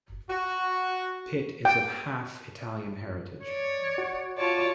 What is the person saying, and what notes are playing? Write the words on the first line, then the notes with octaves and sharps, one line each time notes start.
Pitt is of half Italian heritage.
F#4
G5
C#5 D5
F#4
F4 C#5 D5 A5